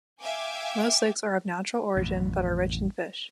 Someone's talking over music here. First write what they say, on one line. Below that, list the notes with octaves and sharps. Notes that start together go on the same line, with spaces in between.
Most lakes are of natural origin, but are rich in fish.
E5 F5 G5 G#5 D6
A1 F2 B2